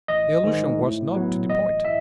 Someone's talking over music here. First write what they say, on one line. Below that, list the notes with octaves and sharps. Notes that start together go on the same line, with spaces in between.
The allusion was not to the point.
A1 D#5
G#2 D#3
A2
F#3 B3
A1 D#5
A2 E5